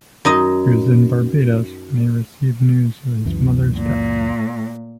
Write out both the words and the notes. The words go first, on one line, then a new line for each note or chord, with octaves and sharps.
He was in Barbados when he received news of his mother's death.
F#2 D#4 D#5
C#2 F#2 E3
A#2